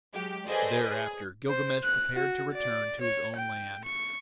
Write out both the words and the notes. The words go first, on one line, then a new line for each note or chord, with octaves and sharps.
Thereafter Gilgamesh prepared to return to his own land.
F#3 G#3 G4
G#4 A4 B4 C5 D5 D#5
G#4
C5
F#6
F#4
D5
C#5
G5
C#6